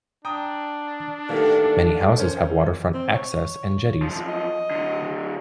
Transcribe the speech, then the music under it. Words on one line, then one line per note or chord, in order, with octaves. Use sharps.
Many houses have waterfront access and jetties.
D4 G5 A#5 D#6
E2 A2 D#3 A#3 G4 A4
C#4 A#4 C5
C4
C#5
F#2 F3
D#5
D3 F#3